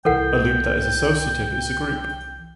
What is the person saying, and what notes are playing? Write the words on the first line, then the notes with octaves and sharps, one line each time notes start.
A loop that is associative is a group.
C2 E3 A4 A#4 F#5 G5